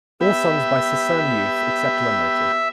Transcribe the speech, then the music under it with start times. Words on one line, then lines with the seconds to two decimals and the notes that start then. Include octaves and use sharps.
All songs by Ciccone Youth, except where noted.
0.21 B3 G4 E5